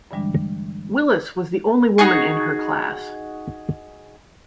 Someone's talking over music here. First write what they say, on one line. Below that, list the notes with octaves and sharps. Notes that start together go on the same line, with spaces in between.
Willis was the only woman in her class.
G2 D3 E3 G3 G#3 D4
D#4 F#4 G#4 C#6